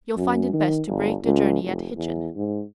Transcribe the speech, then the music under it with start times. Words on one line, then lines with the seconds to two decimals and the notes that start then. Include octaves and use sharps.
You'll find it best to break the journey at Hitchin.
0.17 F#2
0.53 D#3
0.87 G1
1.24 C#2
1.64 F1
1.96 E2
2.36 G#2